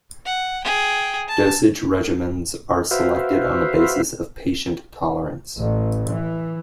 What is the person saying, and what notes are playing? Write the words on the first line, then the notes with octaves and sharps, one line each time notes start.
Dosage regimens are selected on the basis of patient tolerance.
F#5
G#4 G5
A5
F#4 B4 C5 E5 F5
A1
E3